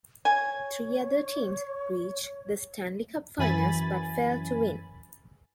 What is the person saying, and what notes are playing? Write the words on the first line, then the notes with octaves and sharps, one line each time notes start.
Three other teams reached the Stanley Cup Finals, but failed to win.
C#5 G#5
F#2 E3 G#5 B5 A6